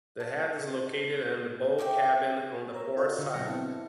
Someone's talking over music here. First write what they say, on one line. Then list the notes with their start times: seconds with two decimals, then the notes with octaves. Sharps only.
The head is located in the bow cabin on the port side.
0.20 A5
1.78 D#3 D5 E5 G5
2.73 A#4 C#5 A#5 E6
2.97 F4 F#4 A4 A#4 D5 D#5
3.19 D3
3.34 B2 F#3 D#5 G5 A#6 C#7
3.47 B3 C4 D4 E4 A5
3.72 E4